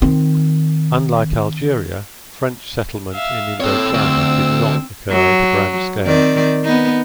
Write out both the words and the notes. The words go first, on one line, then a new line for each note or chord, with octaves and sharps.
Unlike Algeria, French settlement in Indochina did not occur at a grand scale.
D#3 C4
E5 F5
C4 A4 C#5 E6
D2
F#3
D#3 C4 D5
B3 D#4